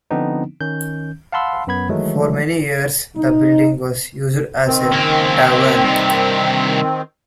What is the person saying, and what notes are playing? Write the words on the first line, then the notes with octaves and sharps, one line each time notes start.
For many years the building was used as a tavern.
D3 F3 B3 C4 D4 D#4
D#3 C#4 G6
F5 F#5 A5 B5 C6 E6
F#2 B3 B5 G#6
D#3 E3 F#3 G#3 A3
D#4
D#3 C4
C#3 A#3
G2 C3